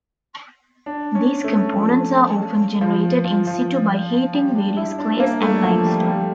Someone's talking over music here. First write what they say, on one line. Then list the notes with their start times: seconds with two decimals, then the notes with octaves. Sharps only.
These components are often generated in situ by heating various clays and limestone.
0.86 D4
1.15 C#4
1.44 A3
1.73 F3
2.81 F3
3.25 F3
3.47 F3
4.33 G3
4.55 D4
4.77 E4
4.98 D4
5.20 A#3
5.42 A3
5.63 F3
5.85 G3
6.07 G3